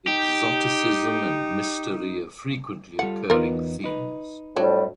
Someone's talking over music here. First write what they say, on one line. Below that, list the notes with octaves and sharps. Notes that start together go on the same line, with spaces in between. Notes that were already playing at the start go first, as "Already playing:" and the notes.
Exoticism and mystery are frequently occurring themes.
D#4 G4
G3 F4 A4 F#5
E2 B3 D#4 F4 A#4
D#4 B4
F2 A2 F#3 G3 D4